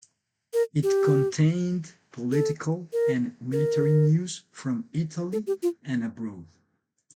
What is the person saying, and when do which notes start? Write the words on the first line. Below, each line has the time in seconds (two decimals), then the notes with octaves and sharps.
It contained political and military news from Italy and abroad.
0.53 A#4
0.83 G4
2.32 A4
2.93 A#4
3.52 A#4
5.32 A4
5.47 G4
5.63 F4